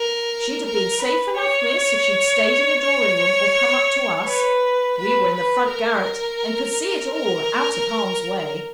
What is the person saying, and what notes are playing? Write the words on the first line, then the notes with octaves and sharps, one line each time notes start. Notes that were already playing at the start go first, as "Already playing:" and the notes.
'She'd have been safe enough, miss, if she'd stayed in the drawing-room, or come up to us; we were in the front garret, and could see it all, out of harm's way.'
Already playing: A#4
A#4
B4
C#5
C#5
B4
B4
B4
A#4
A#4